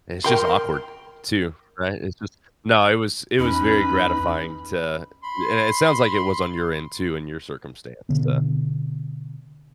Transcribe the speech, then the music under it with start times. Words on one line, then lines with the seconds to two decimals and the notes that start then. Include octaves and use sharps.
It's just awkward too. Right? It's just No, it was it was very gratifying to eh, and it sounds like it was on your end too in your circumstance, uh.
0.24 A#4 G5 C6
3.39 E2 C#4 D#4 B4 B5
5.24 B5 C6
8.09 B2 D3 B3